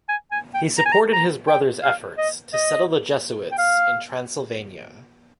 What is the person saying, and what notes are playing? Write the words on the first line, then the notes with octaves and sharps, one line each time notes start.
He supported his brother's efforts to settle the Jesuits in Transylvania.
G#5
G#5
G5
A#5
G#5
A#5
A#5
G5
F5
D#5
D#5
G5
F5